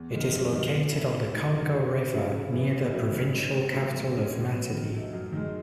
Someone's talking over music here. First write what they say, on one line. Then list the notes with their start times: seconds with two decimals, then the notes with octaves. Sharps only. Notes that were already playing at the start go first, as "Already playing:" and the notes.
It is located on the Congo River, near the provincial capital of Matadi.
Already playing: E2
0.11 D#3 G#3
0.31 F#2
0.51 D#3 G#3 B3 D#4
0.71 B2
0.91 F#3 C#4 E4
1.12 C#3
1.31 G#3 D#4
1.51 F#2
1.72 C#3 F#3
1.92 C#3
2.12 F#3 C#4 E4
2.32 C#3
2.52 E3 B3 E4
2.72 B2
2.92 F#3 A3 C#4 E4
3.12 D#3
3.32 G#3 C#4
3.53 G#2
3.73 F#3 A3 C#4
3.92 E2
4.12 B2 G#3 C#4
4.33 A2
4.53 F#3 B3
4.73 D#3
4.92 F#3 A3 D#4
5.13 F#2
5.33 D#3 G#3